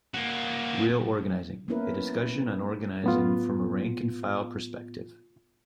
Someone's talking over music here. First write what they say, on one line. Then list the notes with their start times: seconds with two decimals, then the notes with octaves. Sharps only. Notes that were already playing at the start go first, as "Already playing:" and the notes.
Real Organizing: A discussion on organising from a rank and file perspective.
0.14 A#3 F#4
1.68 A#3 B3 C#4 E4 A#4 B4
3.04 A2 B3 F4